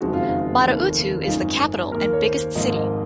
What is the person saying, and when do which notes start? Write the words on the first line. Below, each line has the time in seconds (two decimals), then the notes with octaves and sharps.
Mata-Utu is the capital and biggest city.
0.01 F#1 F2 D#3 G#3 F#4
0.13 F4
0.28 D#4
0.40 F4
0.64 F1 D#2 D#3
1.23 F4
1.27 G#1 F#2 D#3 D#4
1.92 D#2 D#3 A#3 A#4
2.13 C#5
2.23 C5
2.55 G#1 G#2 F3 A#3 D#5
2.76 D#5